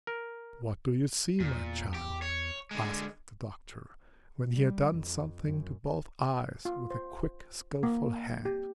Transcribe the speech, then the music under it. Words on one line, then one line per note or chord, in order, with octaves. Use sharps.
'What do you see, my child?' asked the doctor, when he had done something to both eyes with a quick, skilful hand.
A#4
E2 A#2
G4
C#5
D3 G#3
G3
F2
F#2
F4
C5
A#3
G4